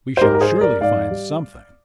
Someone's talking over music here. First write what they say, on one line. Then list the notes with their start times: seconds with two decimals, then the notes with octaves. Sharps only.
We shall surely find something.
0.17 C5
0.21 G#2 G4 A#4
0.35 A#4
0.41 G#4 C5
0.51 G3
0.61 A#4 D5
0.81 G#2 D5 F5
1.11 G3